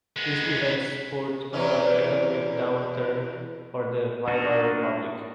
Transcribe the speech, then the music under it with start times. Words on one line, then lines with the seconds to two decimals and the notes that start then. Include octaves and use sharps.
This event spurred another economic downturn for the Weimar Republic.
0.17 G#3 B3
1.53 E2 E3 C#4
4.28 A#3 D4 D#4 F#4